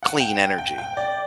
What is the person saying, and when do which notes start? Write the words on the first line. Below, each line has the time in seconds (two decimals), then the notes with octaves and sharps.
clean energy,
0.03 F#5
0.20 G5
0.58 G5
0.78 G5
0.97 D5